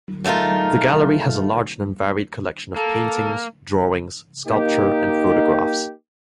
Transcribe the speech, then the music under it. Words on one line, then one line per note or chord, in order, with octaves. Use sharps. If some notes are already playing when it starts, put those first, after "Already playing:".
The Gallery has a large and varied collection of paintings, drawings, sculpture and photographs.
G#2 A3 D#4 F4 A#4
A#3 A4
A#3 D#4 G4